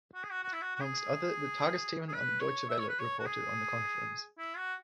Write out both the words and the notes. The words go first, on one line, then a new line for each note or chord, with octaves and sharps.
Amongst other the Tagesthemen and the Deutsche Welle reported on the conference.
F#4
G#4
F#4
F#4
E4
F#4
F#4
G#4
G#4
B4
C#5
E5
C#5
B4
C#5
F#4
G#4
E4
F#4